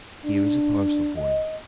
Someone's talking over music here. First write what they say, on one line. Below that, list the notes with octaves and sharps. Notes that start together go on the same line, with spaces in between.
"Here is a parcel for you."
D4
D#5